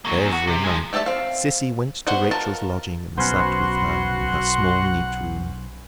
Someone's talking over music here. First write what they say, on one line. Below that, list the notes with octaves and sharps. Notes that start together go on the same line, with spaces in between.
Every night, Sissy went to Rachael’s lodging, and sat with her in her small neat room.
F#3 A#3
E2
F#4
C3
F3 G#3
A3 G4 D5 E5 A5
C4 F5
B3 F#4 C5 D#5 F#5
D#4 F4 A#4 A5
B1 C#4 F#4 B4 C5 F#5 C6